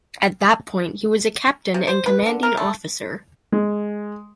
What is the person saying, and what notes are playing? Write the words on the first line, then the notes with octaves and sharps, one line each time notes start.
At that point, he was a captain and commanding officer.
C3
C5
B4
D3
A#4
A3
G#3